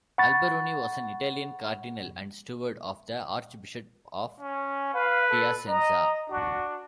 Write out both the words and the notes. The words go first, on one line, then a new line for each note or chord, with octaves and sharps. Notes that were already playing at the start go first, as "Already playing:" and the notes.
Alberoni was an Italian cardinal and steward of the archbishop of Piacenza.
F#5 B5 C#6 A6
C#4
B4 F5
A4
D#5 A#5
D4 F#4